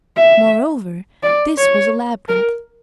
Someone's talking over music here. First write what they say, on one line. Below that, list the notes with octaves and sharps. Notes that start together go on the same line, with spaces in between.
Moreover, this was a labyrinth.
E5
D5
C#5
A#4